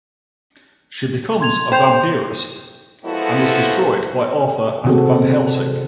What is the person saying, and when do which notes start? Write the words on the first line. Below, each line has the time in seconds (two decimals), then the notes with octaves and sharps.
She becomes a vampiress and is destroyed by Arthur and Van-Helsing.
1.41 C6 G#6 F7
1.72 C5 G5 G6 F7
3.05 F3 G#3 B3 E4 F#4 A4
4.85 C3 D#3 C4 F#4 G#4 A4